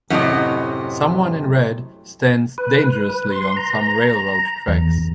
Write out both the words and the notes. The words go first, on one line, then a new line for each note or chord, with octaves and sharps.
Someone in red stands dangerously on some railroad tracks.
F#2 A2 C3 D#5
B4
C6
A#5
E2